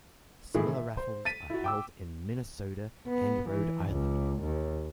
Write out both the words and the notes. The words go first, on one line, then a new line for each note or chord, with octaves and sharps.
Similar raffles are held in Minnesota and Rhode Island.
A2 D#3 E3 A3 E4 G#4
E5
C5
A6 B6 D#7
E4 F#4
G5 D6 E6
B3
E3
C#2
D#2